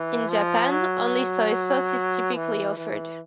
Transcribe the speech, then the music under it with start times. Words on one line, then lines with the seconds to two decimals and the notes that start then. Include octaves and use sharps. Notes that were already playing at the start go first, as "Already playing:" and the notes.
In Japan, only soy sauce is typically offered.
Already playing: E3
0.30 F3
0.71 F#3
2.36 E3
2.77 E3